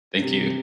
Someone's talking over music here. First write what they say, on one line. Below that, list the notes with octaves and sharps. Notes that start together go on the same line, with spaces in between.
Thank you.
C3